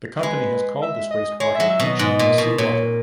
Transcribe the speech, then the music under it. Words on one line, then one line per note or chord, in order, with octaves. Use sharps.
The company has called this wastewater "ancient seawater".
G#3 B4
E5
D#5
G#3 C#5
F#3 E5
E5
B2 D#5
G#2
A#2
B2
A#2 C#5